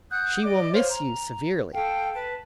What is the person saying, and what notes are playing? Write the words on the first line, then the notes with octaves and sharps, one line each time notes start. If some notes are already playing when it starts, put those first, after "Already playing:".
"She will miss you severely."
F#5 D#6 F#6 G6
D5 D#5 D6
C5 C#5 F5
A#5
A4 F5 G5
B4 A5